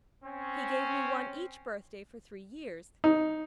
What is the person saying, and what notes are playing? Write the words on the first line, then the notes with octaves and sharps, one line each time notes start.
He gave me one each birthday for three years.
C4 C#4
D#4